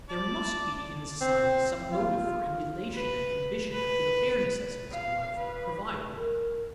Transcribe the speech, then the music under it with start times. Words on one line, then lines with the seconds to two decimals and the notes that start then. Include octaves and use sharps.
There must be in society some motive for emulation and ambition after the bare necessities of life are provided.
0.09 D5 A5
1.21 C4
1.92 F4
2.93 B4
3.71 B4
4.92 F5
5.37 B4
6.17 A#4